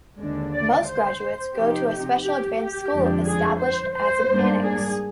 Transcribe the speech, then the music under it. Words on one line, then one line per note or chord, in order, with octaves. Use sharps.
Most graduates go to a special advanced school established as an annex.
D#2 D3 G#3 D4
D5
C5
C3 F3 C4 D#4 G4
G4
G4
F2 D3 F3 G#3 D4
G#4
C5
C5
G#2 G3 A#3 D4
G#4